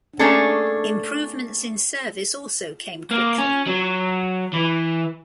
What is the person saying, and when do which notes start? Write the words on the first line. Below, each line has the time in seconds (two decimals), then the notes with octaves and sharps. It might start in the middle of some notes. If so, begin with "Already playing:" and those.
Improvements in service also came quickly.
0.19 A3 A#3 C#4 D4 G#4 A4
3.11 A#3
3.38 C#4
3.67 F#3
4.53 E3